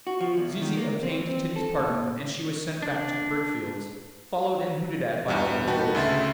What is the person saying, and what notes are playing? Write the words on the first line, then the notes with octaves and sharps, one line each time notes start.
Zizi obtained Titty's pardon, and she was sent back to the brick-fields, followed and hooted at by all the boys.
F#4
F3
E2
D#3
A#3
C4
C4
A4
A2
D4
E2 G2 G3
D#4 F#4 B4 G5 A5
D2 C#3 A3 E5 C6 A6